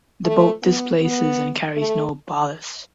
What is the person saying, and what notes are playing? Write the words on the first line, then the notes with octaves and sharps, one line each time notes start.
The boat displaces and carries no ballast.
A3
B3
B3
A3